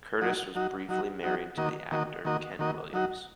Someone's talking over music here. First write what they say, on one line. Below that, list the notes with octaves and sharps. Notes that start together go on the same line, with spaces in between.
Curtis was briefly married to the actor Kent Williams.
F#3 D#4 F#4
F#3 D#4 F#4
F#3 D#4 F#4
F#3 D#4 F#4
D#3 A#3 F#4 D#5
D#3 A#3 F#4 D#5
D#3 A#3 F#4 D#5
D#3 A#3 F#4 D#5
F#3 D#4 F#4